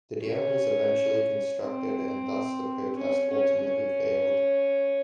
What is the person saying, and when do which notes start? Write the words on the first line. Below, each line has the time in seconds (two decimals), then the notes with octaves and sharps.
The dam was eventually constructed and thus the protest ultimately failed.
0.24 C#4
1.60 C4
2.96 C#4
3.30 C#4
3.63 C#4